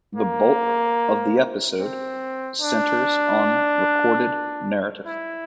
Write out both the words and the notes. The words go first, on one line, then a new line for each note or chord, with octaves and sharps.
The bulk of the episode centres on recorded narrative.
A#3
C4
D4
E4